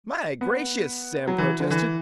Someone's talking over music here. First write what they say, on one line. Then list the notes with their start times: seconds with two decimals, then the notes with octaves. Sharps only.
"My gracious!" Sam protested.
0.41 B3
1.28 F#3
1.38 E3
1.60 D3
1.71 E3